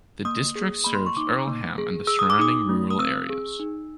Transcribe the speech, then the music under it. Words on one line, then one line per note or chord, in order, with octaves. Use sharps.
The district serves Earlham and the surrounding rural areas.
A#3 D#6
G#4
A#3 B5
C6
C#6
D#4 D6
A#3
G#4
G#4 E6
D#6
D6
D#4 D#6
A3
D#6
C4 E6
G#4
D#4